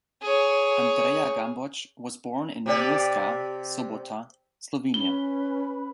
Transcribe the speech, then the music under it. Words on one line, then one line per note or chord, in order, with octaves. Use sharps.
Andreja Gomboc was born in Murska Sobota, Slovenia.
G#4 C#5
C3 G4 D5
C#4 B4 B5 G7